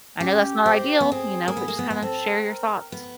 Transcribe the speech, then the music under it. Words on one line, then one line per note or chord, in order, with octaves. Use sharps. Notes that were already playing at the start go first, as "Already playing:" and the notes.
I know that's not ideal, you know? But just, kinda share your thoughts.
C#4 G4
C4
B3
C4 G#4
A#3
B3
A#3
B3
B3
C4 A4
A#4
B3